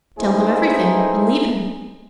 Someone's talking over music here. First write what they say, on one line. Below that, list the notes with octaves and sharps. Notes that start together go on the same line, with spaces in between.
"Tell him everything, and leave him."
A1 A3 D#4 E4 G#4 C5